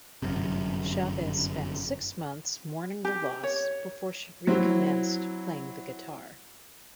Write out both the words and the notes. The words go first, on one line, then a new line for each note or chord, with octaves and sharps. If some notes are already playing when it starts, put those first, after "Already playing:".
Chavez spent six months mourning the loss before she recommenced playing the guitar.
G1 F#2 C3
G4
C#5
F#3 C4 E4